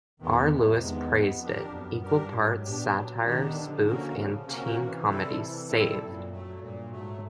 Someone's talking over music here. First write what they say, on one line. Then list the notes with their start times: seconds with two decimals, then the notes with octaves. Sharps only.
R Lewis praised it: "Equal parts satire, spoof and teen comedy, "Saved!
0.20 E2 D#3 G#3 B3
0.50 F2 C3
0.81 E2 D#3 G#3 B3
1.11 F2 B3
1.42 D4 G4 A#4
1.72 F#2 B3
2.03 G2 D4 G4 A#4
2.34 G#2 F#3
2.63 A#2 B3 D4 G4
2.94 F#3
3.25 D#3 B3 D4 G4
3.56 D3 F3
3.85 A#3 C#4 F#4 A#4
4.16 C#3 F3
4.47 C3 A#3 C#4 F#4 A#4
4.76 E3
5.07 G3 C4 E4 A4
5.38 E3
5.68 G3 C4 E4 A4
5.99 F#2 A#2
6.29 F#3 A3
6.59 G2 A#2
6.90 G#2 F#3 A3